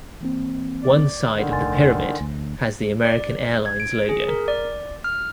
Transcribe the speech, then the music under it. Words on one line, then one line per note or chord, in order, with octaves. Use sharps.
One side of the pyramid has the American Airlines logo.
E3 A#3 C4
D5
D3 D#3
F1 D2 G#5 C6 A6
D2
D5
G#6
D7
G#4
A#4
D5
F6